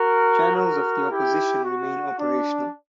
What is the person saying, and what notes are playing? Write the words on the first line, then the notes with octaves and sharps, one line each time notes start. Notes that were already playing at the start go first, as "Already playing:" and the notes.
Channels of the opposition remain operational.
Already playing: F#4 A#4
F#4 A#4
E4 G4
F#4
D4